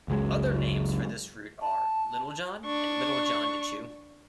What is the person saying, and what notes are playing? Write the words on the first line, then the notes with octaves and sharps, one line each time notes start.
Other names for this root are Little John and Little John to Chew.
F#1 C#2 F#3 G#3
A5
D4 C#6